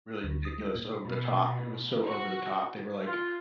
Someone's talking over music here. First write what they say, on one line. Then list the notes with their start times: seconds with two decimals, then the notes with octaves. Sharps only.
Really ridiculous, over the top, it was so over the top, they were, like,
0.24 D2
0.45 D#6
0.58 G#3
0.75 A#2
1.05 B2
2.03 F#4
3.07 F4